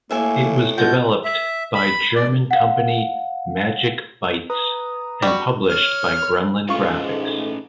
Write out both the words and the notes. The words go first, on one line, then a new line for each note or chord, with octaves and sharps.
It was developed by German company Magic Bytes and published by Gremlin Graphics.
A2 A#3 E5 G#5
B2 F4 F#4 G6
E5
B5
D5
F5 F#5
B4 A#5 D#6
G3 F#4
C#5 F6
G#2 A3 C#4 F4 A4 B4 C#6